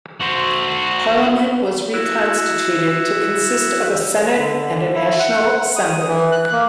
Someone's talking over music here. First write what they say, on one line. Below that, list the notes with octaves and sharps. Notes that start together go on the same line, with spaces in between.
Parliament was reconstituted to consist of a Senate and a National Assembly.
F#4 C5
E4 F#4
D3
E4
F#5
D#6
E3
F#6
A#3